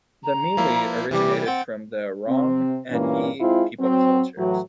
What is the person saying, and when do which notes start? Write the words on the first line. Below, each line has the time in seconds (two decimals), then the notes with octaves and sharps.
The mili originated from the Rong and Yi people cultures.
0.23 A#5
0.57 F3 A#3 E4
1.11 C3 E3 G3 G4
1.46 C4 F#5 G5 A6
2.27 C3 C4
2.90 G2 A#2 E3 A#3 C#4
3.39 G#3 C4 E4 F4
3.79 F#3 C4
4.37 A2 E3 F#3